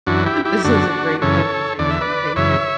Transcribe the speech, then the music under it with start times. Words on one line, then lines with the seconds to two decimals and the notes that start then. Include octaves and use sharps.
this is a great conversation. Thank you.
0.07 F#2 E3 D4 F#4
0.26 E4 G4
0.45 E4 G4
0.64 F#2 D3 D4 F#4
1.22 F#2 C#3 E3 A4 C#5
1.79 E2 D3 D5
1.91 E5
2.01 B4 D5
2.36 F#2 C#3 E3 C#5 E5